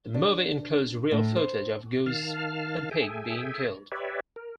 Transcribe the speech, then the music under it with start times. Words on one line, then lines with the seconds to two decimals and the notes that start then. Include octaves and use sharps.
The movie includes real footage of a goose and pig being killed.
0.14 D4
1.11 A2
1.36 C5
2.06 D#3 F5 A5 F6
2.91 G#4 A4 E5 G5 G#5
3.92 G4 B4 C#5 D5 E5
4.36 A#4